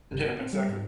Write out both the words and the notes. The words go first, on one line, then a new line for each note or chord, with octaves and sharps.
Yeah, exactly.
G1
B2
C4
G3
G#2